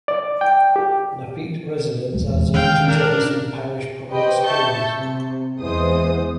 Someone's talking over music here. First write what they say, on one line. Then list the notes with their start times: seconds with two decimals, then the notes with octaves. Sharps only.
Lafitte residents are zoned to Jefferson Parish Public Schools.
0.08 D5
0.41 G5
0.76 G4
2.14 D#1 E2 G#3
2.54 D#3 G#3 C#4 F5 G5
2.88 C#4 D4 A#4
4.10 G4 B4 C5 D#5 G5
4.44 E5 A5 C#6 G6
4.96 C3
5.60 E2 E3 G#3 B3 C5 D#6